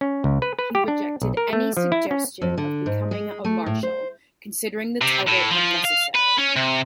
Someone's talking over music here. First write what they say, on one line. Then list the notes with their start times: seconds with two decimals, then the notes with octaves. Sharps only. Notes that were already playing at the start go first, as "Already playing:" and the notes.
He rejected any suggestion of becoming a Marshal, considering the title unnecessary.
0.01 C#4
0.24 C#2
0.42 B4
0.59 B4
0.75 G4
0.88 D4
1.22 B1
1.37 A#4
1.53 A3
1.77 F3
1.92 E4
2.11 C#4
2.42 F2
2.58 D3
2.86 G#2
3.11 G#3
3.44 A3
3.66 A2
3.83 C5
5.01 C3
5.27 A2
5.51 F3
5.84 F5
6.15 B4
6.38 C#4
6.56 C3